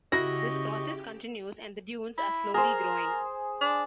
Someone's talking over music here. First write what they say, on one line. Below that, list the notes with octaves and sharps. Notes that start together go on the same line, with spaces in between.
This process continues, and the dunes are slowly growing.
C#3 E4 F#4 G4 D#5 C#6 A#6
E4
G#4 A#4 C5
D4